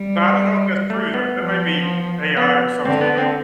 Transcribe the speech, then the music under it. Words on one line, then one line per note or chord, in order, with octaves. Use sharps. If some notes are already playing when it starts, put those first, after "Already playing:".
Now I don't know if that's true, that that might be AI or something, but
Already playing: G3
A3
B3
F3
B3
D3 C4
B3
C4